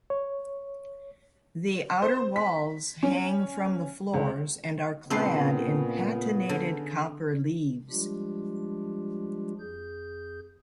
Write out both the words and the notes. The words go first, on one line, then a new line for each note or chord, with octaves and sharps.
The outer walls hang from the floors and are clad in patinated copper leaves.
C#5
C5
B6
C#4
C#2
A#2 C#3 B3 C4 D4 B4 C7
D3
F3 G3 G#3 D4 F4 G4
F2 G#4 G6